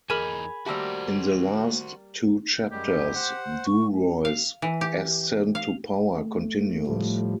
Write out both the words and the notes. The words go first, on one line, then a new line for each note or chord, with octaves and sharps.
In the last two chapters, Duroy's ascent to power continues.
E2 D#4 G#4 A#4 G#5 B5 F6
G3 A#3 F#4 G4 C5 E5 A5 E6
F#2 G3 G#3 G4
C5 F#5
C#6
F5
E3
G4
F5
A3
A2 F3 G3